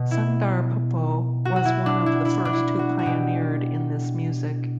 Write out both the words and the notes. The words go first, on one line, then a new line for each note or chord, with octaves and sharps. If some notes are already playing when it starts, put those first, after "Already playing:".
Sundar Popo was one of the first who pioneered in this music.
Already playing: B2
E4
F#4
F#4
E4
D4
E4
E4
D4
E4
F#4
F#4
B2 G4